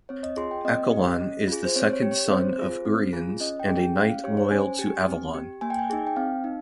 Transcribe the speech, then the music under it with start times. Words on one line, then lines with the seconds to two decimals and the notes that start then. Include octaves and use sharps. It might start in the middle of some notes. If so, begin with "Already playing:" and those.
Accolon is the second son of Uriens and a knight loyal to Avalon.
0.09 C4 C#5
0.23 D#5
0.37 F4 G#4 C6
0.51 G5
0.65 C4 D#5
0.92 G4
1.21 C#4
1.48 F4 G#4
1.65 C5
1.76 C4 C#5
1.93 C#5
2.02 G4
2.11 C#5
2.30 C4 C5
2.58 F4 G#4
2.85 C4
3.13 F4 G#4
3.40 C#4 D#5
3.60 G5
3.68 G#4
3.77 G5
3.96 C#4 F5
4.10 F5
4.24 G4 C#5
4.37 C5
4.51 C#4 G#5
4.79 G4
5.07 C4
5.34 G4
5.61 A#3 G#5
5.70 G5
5.79 G#5
5.90 D#4 G#4
6.07 G5
6.16 C4 F5
6.44 D#4